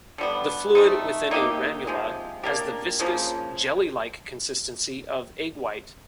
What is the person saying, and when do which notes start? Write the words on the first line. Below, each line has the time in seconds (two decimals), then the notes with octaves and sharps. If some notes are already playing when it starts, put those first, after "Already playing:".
The fluid within a ranula has the viscous, jellylike consistency of egg white.
0.18 D3 G3 B3
0.75 A3 C4 D#4
1.31 A#3 D#4 G4
1.87 C3 F3 G#3
2.43 A#3 D4 G4 A#4
2.99 C#3 F3 A#3